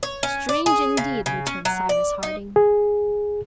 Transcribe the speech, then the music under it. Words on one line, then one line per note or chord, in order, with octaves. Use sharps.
"Strange indeed!" returned Cyrus Harding.
C#5
C#4
D5
G#4
C#3
C#3
C#4
F#3
D5
D#4
G#4